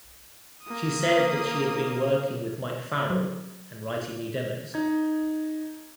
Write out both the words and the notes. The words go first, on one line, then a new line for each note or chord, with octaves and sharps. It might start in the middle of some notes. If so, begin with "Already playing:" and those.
She said that she had been working with Mike Farrell and writing new demos.
A#3 D#6
F#3
D#4 G#6